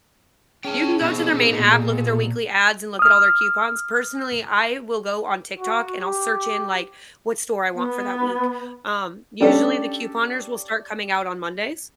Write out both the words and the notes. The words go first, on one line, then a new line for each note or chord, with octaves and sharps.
You can go to their main app, look at their weekly ads, and look at all their coupons, personally, I will go on TikTok, and I'll search in, like, what store I want for that week, um, usually, the couponers will start coming out on Mondays.
C#4 G#4 G5 A5
B2 C4 D#4
A#2
D#6 F6
F#4
G4
B3
G3 C#4 D4 G4 A4